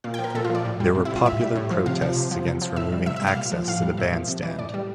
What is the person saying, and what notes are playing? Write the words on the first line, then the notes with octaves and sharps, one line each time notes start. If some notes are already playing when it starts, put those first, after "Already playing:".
There were popular protests against removing access to the bandstand.
A#2 F5
G5
F3
A#4
A#2 A4
F4
F3
D5
A2
G3
C3
E4
G3
F4
A2 E5
G3
A2
F3
C3 F5
F3
C3
F3
C3
F3
A2 E5
G3
C3 E5
E5
G3
F5
A#2
F3
A2 F5
G3
A#2 E5
F3
C3
E3
A2 D5
G3